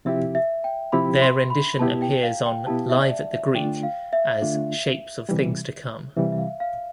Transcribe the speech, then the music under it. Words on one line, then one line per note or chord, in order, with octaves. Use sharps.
Their rendition appears on "Live at the Greek" as "Shapes of Things to Come".
C3 F3 C4 E4 G4 E5
E5
G5
C3 F3 C4 E4 G4 B5
C6
B5
B2 B3 E4 G4 A5
G5
F5
G5
G5
B2 B3 E4 G4 A5
E5
D5
E5
E5
D3 A3 D4 F4 G5
F5
E5
D3 A3 D4 F4
C3 E3 G3
C3 E3 G3 E5
E5
F5
F5